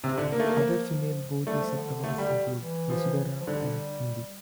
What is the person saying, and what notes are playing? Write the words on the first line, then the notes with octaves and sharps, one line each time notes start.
Other female Bodhisattvas include Vasudhara and Cundi.
A2 C3
A#2 D3
C3 A#3
D3 A3
E3 A#3
F3
G3 A3
F3
D3
A3
G3
E3
F3
F3
D3 G3